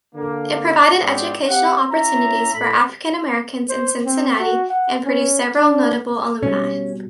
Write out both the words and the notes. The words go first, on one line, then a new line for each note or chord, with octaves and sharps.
It provided educational opportunities for African Americans in Cincinnati and produced several notable alumni.
D3 A#3
G#2 B2 F3 B3 C4 D4
C4 G4 F5 F#5
C#4 E4 C#5 E5 A#5
A2 B5
C5
C4
F#4
F#5
C#4
D4
B2 G3 C#4